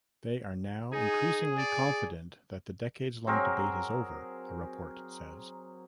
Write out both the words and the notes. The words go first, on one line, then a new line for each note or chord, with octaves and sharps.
They are now increasingly "confident that the decades-long debate is over" a report says.
D#4 G#4
D5
F#3 C4 G#4 A#4